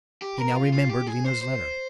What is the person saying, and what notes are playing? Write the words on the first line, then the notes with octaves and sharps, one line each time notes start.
He now remembered Lena's letter.
G4
A#4
F4
F4
G4
G#4
C5
C5